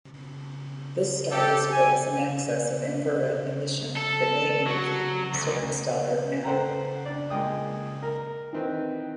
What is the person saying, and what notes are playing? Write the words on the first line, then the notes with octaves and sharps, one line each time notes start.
This star displays an excess of infrared emission that may indicate circumstellar matter.
G4 A4
G#5
A4
F#3
D2
A4 B4 C5 F#5 G5 A#5
D4 D5
A#2 G#3 G5 D#6
A#4
D#3 E3 C4 B4